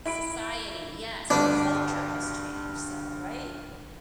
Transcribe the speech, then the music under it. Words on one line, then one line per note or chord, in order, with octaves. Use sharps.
society Yes, our culture has changed, so right?
E4 B5 D7
D2 G2 D4 B4